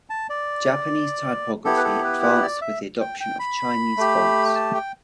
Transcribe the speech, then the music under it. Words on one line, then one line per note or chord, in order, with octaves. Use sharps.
Japanese typography advanced with the adoption of Chinese fonts.
A5
D5
B3 E4 G4 A4
B4
A4
B4
B4
D5
E5
G5
G5
B5
A3 G4
A5
G5